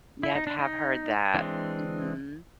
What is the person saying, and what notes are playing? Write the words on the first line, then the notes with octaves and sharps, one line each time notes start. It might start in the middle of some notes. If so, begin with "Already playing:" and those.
Yeah, I've have heard that. Mhm.
E4
D#4
D4
D#4
E3 G#3 C4 D4